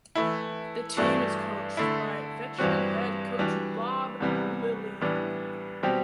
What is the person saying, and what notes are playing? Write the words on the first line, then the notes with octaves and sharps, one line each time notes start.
The team is coached by veteran head coach Bob Lilley.
E3 A3 E4
G2 E3 A3 D4 F#4
D3 A3 E4
G2 E3 G3 C4 F#4
E3 G3 D4 F#4
C2 C3 E3 G3 B3
A2 E3 G3 B3 D4
B2 G3 C4 G4